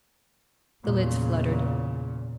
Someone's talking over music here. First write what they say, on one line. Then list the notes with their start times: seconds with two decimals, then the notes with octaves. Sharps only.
The lids fluttered.
0.85 E2 A#2 C#3